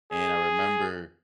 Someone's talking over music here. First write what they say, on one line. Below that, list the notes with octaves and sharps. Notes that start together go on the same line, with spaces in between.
and I remember,
G#4